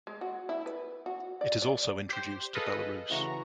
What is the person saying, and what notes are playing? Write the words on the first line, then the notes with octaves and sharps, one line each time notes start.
It is also introduced to Belarus.
G#3
F#4
E4
B4
F#4
D5
D5
G4 C5
G#4 A4 B4 D#5 F5
A1 C#3 E3 F#4 A#5 C#6